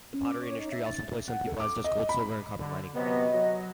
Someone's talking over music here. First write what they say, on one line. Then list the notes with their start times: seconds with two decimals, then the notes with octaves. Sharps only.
The pottery industry also employs some people as does gold, silver and copper mining.
0.14 C#4
0.28 D6
0.42 C#5
0.58 D#4
0.72 E5
0.86 A6
1.28 F#5
1.47 A4
1.60 D6
1.84 D#5
2.09 B5
2.59 D3
2.95 C3 F#3 B3 D#5
3.33 F#3